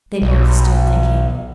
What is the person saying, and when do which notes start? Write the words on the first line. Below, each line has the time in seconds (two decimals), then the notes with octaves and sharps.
They both stood thinking.
0.22 B1